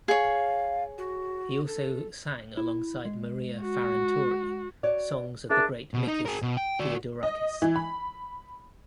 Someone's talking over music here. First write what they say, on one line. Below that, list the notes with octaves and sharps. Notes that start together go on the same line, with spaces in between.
He also sang alongside Maria Farantouri, songs of the great Mikis Theodorakis.
G#4 C#5 F5
F#4
A4
E4
G#3
F#4
F#4 C#5 D5
D4 G#4 A#4 E5
B2
D#4
G#4 A#4
B2
G5
F#4 D5
D#5
E3
B5